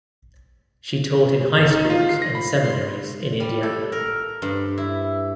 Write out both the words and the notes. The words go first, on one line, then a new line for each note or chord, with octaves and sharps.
She taught in high schools and seminaries in Indiana.
G#1
D#4
F4
C7
A#6
B5
C6
G3
A4
A#4
G2
E4